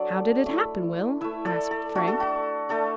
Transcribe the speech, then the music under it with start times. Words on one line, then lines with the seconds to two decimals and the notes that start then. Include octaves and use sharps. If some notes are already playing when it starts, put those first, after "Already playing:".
"How did it happen, Will?" asked Frank.
Already playing: F#3 D4 A4 D5
0.46 A3 E4
1.21 A3 E4 B4 E5
1.45 A4 D5
1.71 A4
1.95 A3 D4 F#4
2.07 A4
2.20 F#4
2.69 A3 D4 A4